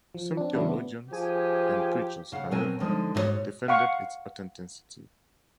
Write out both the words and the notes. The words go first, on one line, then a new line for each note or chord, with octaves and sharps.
Some theologians and preachers, however, defended its authenticity.
F3
C4 D4
C#3 E3 F#3 B3 D4 E4
B3
F3 G4 G#4
C#3 F5 F#5
B2 F#3 C4 A#4 G5 G#5
D3 F3 G#3 D#4
G#2 E4 F#4 C#5
F5 F#5 C#6